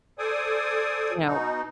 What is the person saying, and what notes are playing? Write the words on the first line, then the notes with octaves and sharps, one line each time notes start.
you know,
A4 C5 D5 G#5 D#6
B2 D#4